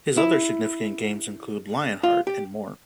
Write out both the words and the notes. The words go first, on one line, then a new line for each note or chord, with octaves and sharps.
His other significant games include "LionHeart" and more.
E4
F4
G4